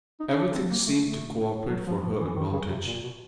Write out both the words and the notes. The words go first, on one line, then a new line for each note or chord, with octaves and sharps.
Everything seemed to cooperate for her advantage.
D#4
D4
C4
A#3
A3
A3
F#3
F3
F3
E3
D#3
C#3
C3
A#2
B2